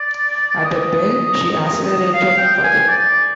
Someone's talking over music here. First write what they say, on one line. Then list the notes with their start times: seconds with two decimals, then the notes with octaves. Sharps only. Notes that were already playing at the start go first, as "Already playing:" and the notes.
At the bell she accelerated further.
Already playing: D5
0.65 D#5
2.14 F5
2.38 G5
2.55 G5
2.64 G#5
2.88 D5